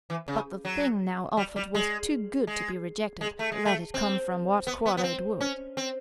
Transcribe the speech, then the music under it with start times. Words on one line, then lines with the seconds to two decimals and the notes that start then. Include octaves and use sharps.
But the thing now offered was too good to be rejected, let it come from what quarter it would.
0.10 E3
0.28 C#3
0.65 F#3
1.37 G3
1.56 G3
1.75 G#3
2.47 G#3
3.21 G#3
3.39 A3
3.52 G#3
3.65 A3
3.94 C4
4.67 B3
4.86 B3
4.97 B3
5.03 C4
5.41 C#4
5.77 C4